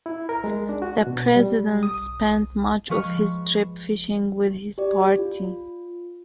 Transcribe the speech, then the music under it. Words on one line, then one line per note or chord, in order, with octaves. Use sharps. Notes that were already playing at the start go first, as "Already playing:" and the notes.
The president spent much of his trip fishing with his party.
E4
A#4
G#3
D4
F#4
B2
G3
D#6
F3 G#3 B4 C#6 F6
G4 D5
F4